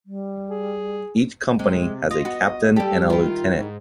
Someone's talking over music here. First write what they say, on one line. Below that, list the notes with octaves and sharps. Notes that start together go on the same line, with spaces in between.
Each company has a Captain and a Lieutenant.
G3
G#4
C3 G#3
F4 D#5
B3 F#4
G3 G4 A4
D#3 E4 F4
G#2